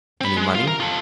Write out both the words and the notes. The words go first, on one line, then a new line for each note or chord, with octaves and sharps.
"Any money?"
C4 B5
G#3
F4
A#4
F4 A4